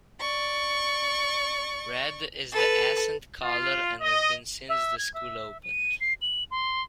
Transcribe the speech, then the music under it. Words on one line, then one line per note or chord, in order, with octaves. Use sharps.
Red is the accent color and has been since the school opened.
D5 C#6
A4 B4
F4
D#5
E5
G#6
E5
D#7
C7
F#7
C6